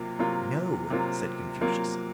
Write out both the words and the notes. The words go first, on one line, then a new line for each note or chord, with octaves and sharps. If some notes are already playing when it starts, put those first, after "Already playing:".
"No," said Confucius.
Already playing: C3 F#3 A#3 F4
C3 F#3 A#3 F4
C3 F#3 A#3 F4
C3 F#3 A#3 F4